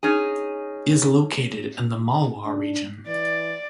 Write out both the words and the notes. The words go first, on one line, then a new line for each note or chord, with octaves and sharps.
It is located in the Malwa region.
C#4 D#4 G#4
D4
E3 D5